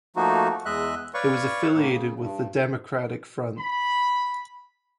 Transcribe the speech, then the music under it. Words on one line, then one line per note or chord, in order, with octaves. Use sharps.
It was affiliated with the Democratic Front.
F3 A3 A#3 D#4 F#4
E2 G#3 D#5 E5 F#6
B4 C#5 D5 F5 C#6
A2 A#3
C#3
G2
B5